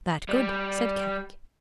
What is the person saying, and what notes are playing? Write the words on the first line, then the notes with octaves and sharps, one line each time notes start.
"That good," said Kadok.
G3